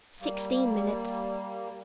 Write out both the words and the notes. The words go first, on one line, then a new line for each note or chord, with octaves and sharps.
Sixteen minutes.
G3 A#3